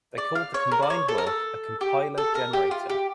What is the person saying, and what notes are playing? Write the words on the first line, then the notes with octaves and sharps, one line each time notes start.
They called the combined work a 'compiler generator'.
D5
F5
C#5
A#4
D5
C#5
A4
A#4
A4
G4
A4
A#4
G4
F4
G4